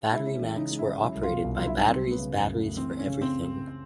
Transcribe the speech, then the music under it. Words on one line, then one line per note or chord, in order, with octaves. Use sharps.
BatteryMax were operated by Batteries Batteries for Everything.
G#3 E4
C#4
E3
C#3 D#4
G#3
E4
C#4
F#3 E4
C2
F4
B2
C2
F#3 F4
E4
C2 D#4
F#3 C4
A3
B3
C#3
F#2
F#3
A3
E3 C4
A3
C#4
C#3
C4